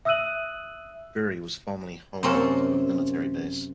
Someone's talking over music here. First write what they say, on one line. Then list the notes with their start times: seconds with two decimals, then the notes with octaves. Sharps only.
Drury was formerly home to a military base.
0.05 E5 D#6 E6 F#6 D#7 F#7
2.23 F#2 C3 A#3 C4 C#4 A5